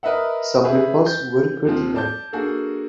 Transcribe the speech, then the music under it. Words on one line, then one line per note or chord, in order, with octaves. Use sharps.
Some members were critical.
A#4 B4 D#5 E5 F#5
G4 G#4 B4 E5
G6
D#2 F3 C4
D5 A5 D6 G6
A#3 D4 F#4 G#4 A4